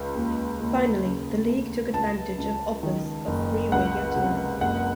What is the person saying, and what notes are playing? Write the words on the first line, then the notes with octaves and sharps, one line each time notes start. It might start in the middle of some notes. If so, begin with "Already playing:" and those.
Finally, the League took advantage of offers of free radio time.
Already playing: C#2
D#2
D#2
C#3
A3
C#2 A5
C#2
D#3
F#1
C#2 F#5
C3
F#1 F#5